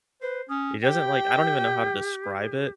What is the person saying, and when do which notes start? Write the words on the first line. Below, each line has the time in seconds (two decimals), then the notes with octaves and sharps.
it doesn't like, I don't even know how to describe it,
0.22 B4 C5
0.49 C#4 D#6
0.84 G4 G5